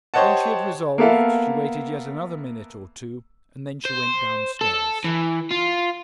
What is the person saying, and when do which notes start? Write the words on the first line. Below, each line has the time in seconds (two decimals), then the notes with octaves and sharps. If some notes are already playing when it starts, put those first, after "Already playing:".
When she had resolved, she waited yet another minute or two, and then she went down-stairs.
0.14 G4 C5 C#5 D#5 F#5 A5
0.98 A#3 B3 A4 E5 F5
3.85 C5
4.61 A4
5.05 E3
5.51 F4